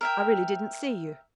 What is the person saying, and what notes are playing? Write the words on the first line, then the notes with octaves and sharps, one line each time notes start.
I really didn't see you.
A#4 E5 G5